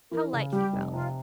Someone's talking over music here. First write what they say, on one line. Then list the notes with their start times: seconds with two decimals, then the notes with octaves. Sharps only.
How light he felt!
0.11 E3 A#4
0.33 C#3
0.53 G3 G4
0.73 F1
0.93 C3 F4